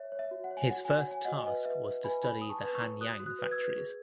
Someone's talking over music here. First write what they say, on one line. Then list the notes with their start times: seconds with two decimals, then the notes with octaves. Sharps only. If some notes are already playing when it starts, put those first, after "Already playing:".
His first task was to study the Hanyang factories.
Already playing: C#5 E5
0.12 C#5
0.19 E5
0.31 F#4
0.44 F#5
0.51 C#5
0.57 G#5
0.69 F#4 F#5
0.85 F#4 G#5
0.98 F#5
1.08 C#5 G#5
1.25 F#4 D#5 F#5
1.40 G#5
1.46 B4 D#5 F#5
1.65 B4 E5
1.85 B4
2.04 B4 G#5 B5
2.23 E4 G#5 B5
2.41 E4 D#6
2.50 A5 C#6
2.62 B4
2.75 C#6 E6
2.81 E4
3.01 F#4 D#6 F#6
3.19 F#4
3.26 D#6 F#6
3.39 B4
3.51 E6 G#6
3.58 B4
3.77 G#4